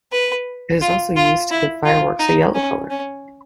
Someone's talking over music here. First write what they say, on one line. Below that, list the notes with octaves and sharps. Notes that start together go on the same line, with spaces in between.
It is also used to give fireworks a yellow color.
B4
F4
F4
E4
F4
D#4
C#4
C#4